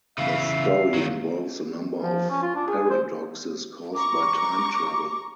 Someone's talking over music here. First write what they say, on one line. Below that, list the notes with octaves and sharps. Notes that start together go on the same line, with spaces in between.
The story involves a number of paradoxes caused by time travel.
C#3 E3 E5 F5
D#3 F#3
F3
C#4
F4
D4
G#4
C5
A#5 C#6 D6